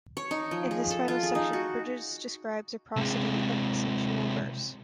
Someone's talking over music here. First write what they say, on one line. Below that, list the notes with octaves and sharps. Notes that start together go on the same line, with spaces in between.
In this final section, Bridges describes a prosody of accentual verse.
C#5
D#4
F3
G#4
A4
F4
G#4
D#4
F#4
C3 G#3